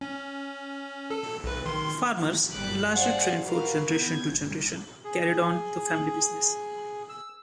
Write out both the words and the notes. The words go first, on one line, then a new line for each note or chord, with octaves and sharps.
Farmers, largely trained from generation to generation, carried on the family business.
C#4
A4
B1 B4
D#3 C6
G1 G3 D6 F#6 B6
G#4 C5 D5 F5 F#5
F#4 A#4 B4 F5
B3 G6 G#6
G1
G#4
E6